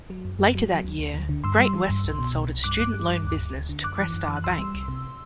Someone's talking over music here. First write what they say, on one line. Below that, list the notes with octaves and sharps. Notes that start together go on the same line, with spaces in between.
Later that year, Great Western sold its student loan business to Crestar Bank.
F#3
F#2
F#2
F#3
F#3
D2
D2
D2
D3
G2 C6 E6
G3
E3
G2
C2
B2
C2
C2
G2 D6 F#6
G2
G3
G2
D2
D2
D2
D3
F#2 D6 F#6
E3
F#2
E3
F#6
C2 C6 E6
G3
C2
C3